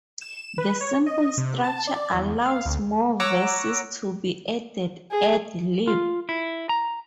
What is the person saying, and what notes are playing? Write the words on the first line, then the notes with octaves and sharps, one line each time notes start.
The simple structure allows more verses to be added ad lib.
E7
B4
C#5
D#5
C3
A5
D5
E2
F5
D2
C#5 F#5 A#5 D6 E6 A#6
G#4
F4
E4
A#5